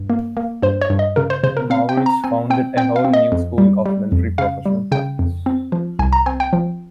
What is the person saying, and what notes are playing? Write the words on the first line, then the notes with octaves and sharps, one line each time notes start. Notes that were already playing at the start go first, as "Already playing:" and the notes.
Maurice founded a whole new school of military professional practice.
Already playing: G2
A#3
A#3
G2 C5
C#5
G2
D#5
C#3 A#4
C5
C#3 C5
A#4
C4 F5
G5
C4
A#5
C4 G#5
C4 G5
C4 G5
F5
C4
D#5
F2
G3
G3
F2
C#3 F5
G3
C#3 G5
F2
C4
F3
C2 G#5
A#5
C4 G#5
G5
F3